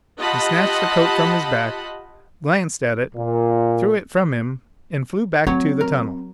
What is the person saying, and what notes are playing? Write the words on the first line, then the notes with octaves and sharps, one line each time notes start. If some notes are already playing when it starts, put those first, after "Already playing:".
He snatched the coat from his back, glanced at it, threw it from him and flew back to the tunnel.
F4 G4 D#5 F#5 A5 B5
A#2
F#3 C4 C#5
A#4